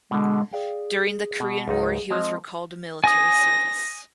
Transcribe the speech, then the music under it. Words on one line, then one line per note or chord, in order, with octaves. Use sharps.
During the Korean War he was recalled to military service.
B2 D3 G#3
G#4 D5 F5 G5
B2
C#2 G#2 D#4 G#4
F3 G#3 C4 D#5
G#5 D#6 A#6